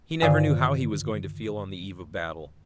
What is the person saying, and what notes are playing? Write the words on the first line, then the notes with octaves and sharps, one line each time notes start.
He never knew how he was going to feel on the eve of battle.
G2 D3 D#3 D5 F5